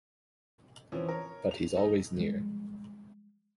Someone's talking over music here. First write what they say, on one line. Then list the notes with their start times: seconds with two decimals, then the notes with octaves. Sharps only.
But he's always near.
0.92 E3 F3 C4 C#4
1.08 A#4 C#5
1.51 F7
1.77 D#4 A4 D#5
2.17 F3 G3 G#3